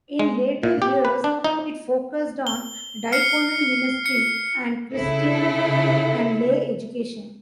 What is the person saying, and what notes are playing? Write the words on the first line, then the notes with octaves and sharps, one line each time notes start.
In later years, it focused on diaconal ministry and Christian and lay education.
G#3
A#2
G4
B4
D4
D#4
G7
F6 C7 C#7
C#7
C#3 E4 A4